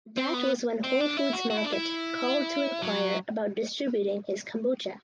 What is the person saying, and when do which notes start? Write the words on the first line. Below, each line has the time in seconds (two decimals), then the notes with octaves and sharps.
That was when Whole Foods Market called to inquire about distributing his kombucha.
0.17 C4
0.34 B3
0.84 C4
1.00 D4
1.17 E4
1.33 F#4
1.50 F#4
1.57 E4
1.64 D4
1.72 E4
2.82 F#3